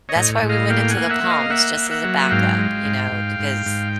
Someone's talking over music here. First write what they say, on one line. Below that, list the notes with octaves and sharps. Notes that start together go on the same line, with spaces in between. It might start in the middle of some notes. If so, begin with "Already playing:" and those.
That's why we went into the palms, just as a backup, you know, because
C#5 D#5
A2
A2
D#5 F5
A#3 F5 G5
F#5 G#5
A#3
E5 F#5
A#3
D#5 F5
A#3 E5 F#5
A#3
E5 F#5
F#3
G#2 F5 G5
G#3
G#2
G#2
G#2
G#2